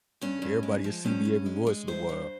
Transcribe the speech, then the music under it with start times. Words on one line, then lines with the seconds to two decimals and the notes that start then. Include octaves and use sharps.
everybody will see me every once in a while.
0.21 G2 C#4
0.42 G2
0.63 G#3
0.84 F3
1.05 G2 C#4
1.25 G2
1.46 G#3
1.67 G#3
1.87 G2 C5
2.09 G2